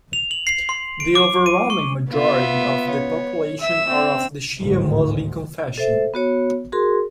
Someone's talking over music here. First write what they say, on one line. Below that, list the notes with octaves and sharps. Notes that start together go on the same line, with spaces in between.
The overwhelming majority of the population are of the Shia Muslim confession.
F7
F#7
C7
C6
D7
D6
D#7
C#6
B3 F4 E5
C#5
E5 E6
C4
A1 D2 G#2
A4 C5 E5
B3 F#4 C#5
F#4 G#4 A#4 C6